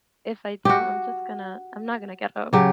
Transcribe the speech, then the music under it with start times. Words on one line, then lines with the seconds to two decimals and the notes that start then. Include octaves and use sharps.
if I don't, I'm just gonna I'm not gonna get up.
0.65 F#4 G4
2.53 C#3 F#3 G4